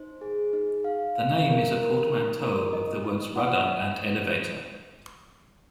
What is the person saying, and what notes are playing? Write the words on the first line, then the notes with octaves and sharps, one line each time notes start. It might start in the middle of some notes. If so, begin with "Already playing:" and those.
The name is a portmanteau of the words rudder and elevator.
Already playing: D#4 C5
G#4
D#4
F5
F5
A#4
A#4
D#4
A#4
D#5
D#4
F#5
D#5